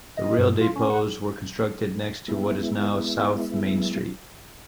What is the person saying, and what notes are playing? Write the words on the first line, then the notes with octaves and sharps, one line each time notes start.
The rail depots were constructed next to what is now S. Main Street.
D#5
G2
F4
C#4
F#5
G#3 B3 E4